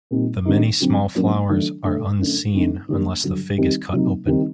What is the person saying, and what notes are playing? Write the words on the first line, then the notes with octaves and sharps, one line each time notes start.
The many small flowers are unseen unless the fig is cut open.
A#2 G3 C4 D#4
G2 D#3 G3 C4 D#4
D3 F#3 C4
F#2 F#3 A#3 D4
D#3 F#3 A3 D4
G2 D3 A3
F#2 D3 A3 D4
G2 D3 A3 C4 D#4
G2 D#3 G3 A#3 D4
G2 D3 F#3
D#3 G3 C4 D#4
C3 F#3 A#3 D#4
D#3 G3 C4 D#4